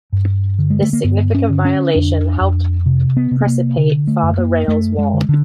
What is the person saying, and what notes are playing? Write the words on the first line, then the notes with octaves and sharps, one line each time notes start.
This significant violation helped precipate Father Rale's War.
G2
D3
G#3
A3
A#3
G2 B3
C#4
D3
C#4
F2 D4
F2
C3
B3
C3
B3
A#3
D3
A3
F#2
A#3
F#2 A3
G#3
D3
D3